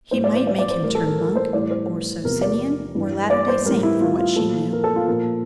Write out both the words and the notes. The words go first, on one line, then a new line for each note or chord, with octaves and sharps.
He might make him turn monk, or Socinian, or latter-day-saint, for what she knew!
A2 G3 C5
D5
C5
D5
D5
C5
A2 E3 G3 A#4
A4
A#4
A#4
C5
A2 E3 G3 D5
C5
E2 C3 F3 A#4
D5
G2 E3 G3
D5
C5
A2 E3 G3 A#4
E4
F4
F4
A#2 F3 A4
A#4
A4
F4
A#2 F3 A#4